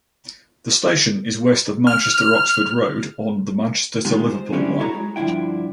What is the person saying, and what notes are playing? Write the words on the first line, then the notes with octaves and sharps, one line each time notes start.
The station is west of Manchester Oxford Road on the Manchester to Liverpool Line.
F6
D#3 G#3 D#4 F4 G4
C5
F#3 G#3 C#4 D4 E4 G4
E4 F#4 A4 C#5 A#5
G#3
G2 D3 E3 F3 E4 G5